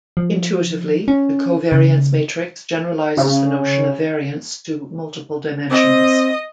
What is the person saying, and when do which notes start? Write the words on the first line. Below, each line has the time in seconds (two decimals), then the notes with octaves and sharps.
Intuitively, the covariance matrix generalizes the notion of variance to multiple dimensions.
0.17 F3
1.08 C#4
1.72 C#3
3.17 C#3
5.70 C4 D#5